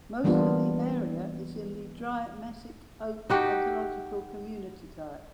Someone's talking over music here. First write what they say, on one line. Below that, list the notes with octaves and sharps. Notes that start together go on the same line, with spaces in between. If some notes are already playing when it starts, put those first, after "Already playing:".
Most of the area is in the Dry Mesic Oak ecological community type.
E3 G3 A#3 B3 D4 F4
D#4 F#4 G4